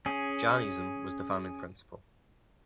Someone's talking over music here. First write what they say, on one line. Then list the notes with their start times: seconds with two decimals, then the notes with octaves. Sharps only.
Jann Eason was the founding Principal.
0.06 C#4 G#4